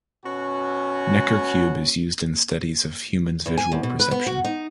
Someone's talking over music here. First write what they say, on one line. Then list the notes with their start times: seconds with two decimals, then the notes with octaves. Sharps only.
Necker cube is used in studies of human's visual perception.
0.24 B2 C#4 F#4
3.46 E2
3.58 G#5
3.72 E2
3.83 B2
4.00 B4
4.11 B3
4.27 F#4
4.44 D#4